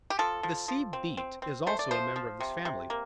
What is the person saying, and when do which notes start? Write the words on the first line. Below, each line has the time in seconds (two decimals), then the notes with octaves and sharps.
The Sea Beet is also a member of this family.
0.10 G4
0.19 F3 A4
0.43 F3
0.68 F3
0.93 C4
1.17 C4
1.42 C4
1.67 A3 C5
1.79 D5
1.91 F3 C5
2.16 F3
2.40 C3
2.65 C3
2.90 A#3